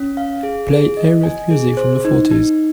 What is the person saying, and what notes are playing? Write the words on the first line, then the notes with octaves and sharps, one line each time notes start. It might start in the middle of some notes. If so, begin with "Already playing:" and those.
Play Arif music from the fourties.
Already playing: C#4
F5
G#4
G#4
D#5
G#5
G#4
C5
D#4
D#4